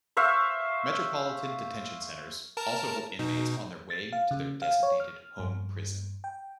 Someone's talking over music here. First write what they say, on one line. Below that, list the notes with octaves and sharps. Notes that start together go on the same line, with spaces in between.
Metropolitan Detention Centers also hold inmates on their way to their designated 'home' prison.
C5 E5 F5 C#6
A#4 A5 A#5
B2 D#4
A6
F5
C#3
F5
C#5
F6
G2
G5